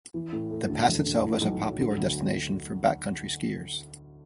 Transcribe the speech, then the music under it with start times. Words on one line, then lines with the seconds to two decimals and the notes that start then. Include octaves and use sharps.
The pass itself is a popular destination for backcountry skiers.
0.14 E3
0.33 A2
0.51 A3
0.69 D2
0.88 E1
1.06 D3
1.24 A2
1.42 B1
1.60 F#3
1.79 D3
1.97 D2